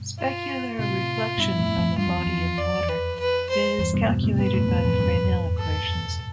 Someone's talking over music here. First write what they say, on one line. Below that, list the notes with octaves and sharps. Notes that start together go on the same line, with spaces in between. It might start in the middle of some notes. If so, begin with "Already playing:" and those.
Specular reflection from a body of water is calculated by the Fresnel equations.
Already playing: G2 B2
F4
A2 C3 F4
G2 B2 E4
F2 A2
F2 A2
G2 F4
F2
E2
F2
D5
B4
B4
C5
E2 G2
G2 B2
G2 B2
A2 C3
G2 B2 B4
F2 A2
E2 G2
F2
E2 G2
A4